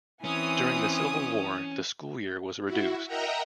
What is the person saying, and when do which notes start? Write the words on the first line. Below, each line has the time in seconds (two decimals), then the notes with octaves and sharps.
During the Civil War, the school year was reduced.
0.24 E3 C4 C#4 G#5 D#6
2.65 E4 F#4
3.07 A#4 D#5 E5 F#5 G5 A#5